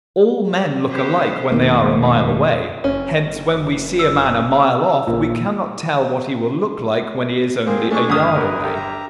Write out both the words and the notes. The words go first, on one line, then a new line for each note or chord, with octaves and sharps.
All men look alike when they are a mile away, hence when we see a man a mile off we cannot tell what he will look like when he is only a yard away.
B3 G4 C5
F1 B2 D#3 A#3
F#1 C#4
E6
A#1 A#2
A#3 C4 G#4 C5
A3 D4 G#4 C#6
G1 D#6 F6
A#4 B4
G4 A4 A#4
G4 E5 A#5